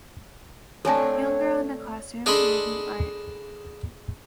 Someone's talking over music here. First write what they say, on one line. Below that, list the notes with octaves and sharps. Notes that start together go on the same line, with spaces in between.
Young girl in a classroom, making art.
A3 C4 D4 A4 C#5 G#5 A5
D4 G#4 A4 D#5 B5 C6